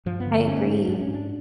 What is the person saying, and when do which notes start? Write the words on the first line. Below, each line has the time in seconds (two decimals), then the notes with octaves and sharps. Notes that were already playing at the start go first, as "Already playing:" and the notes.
I agree,
0.06 G2 F3
0.20 B3
0.27 D3
0.34 B3
0.47 G#2 C#4
0.67 G#2
0.88 G#2 D4
1.01 C#4
1.09 G#2
1.14 D4